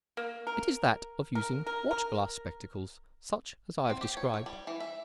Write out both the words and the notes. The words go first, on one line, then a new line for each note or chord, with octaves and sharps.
It is that of using watch-glass spectacles such as I have described.
A#3
A#4
A#4
A#4
A#4
C4
G4
C#5
C#5
G3
E3
E5